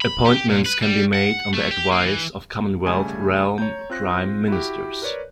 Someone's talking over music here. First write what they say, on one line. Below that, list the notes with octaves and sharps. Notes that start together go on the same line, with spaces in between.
Appointments can be made on the advice of Commonwealth realm prime ministers.
B5
G4
A#2
B4
G3
F#5
A3
G4
A#3
E3
C#3 G3 A3 G#5
C#5 A#5 G6
C4 F4 F#6 A#6
E4 F#4 G4
A#4 B4 C#5 D5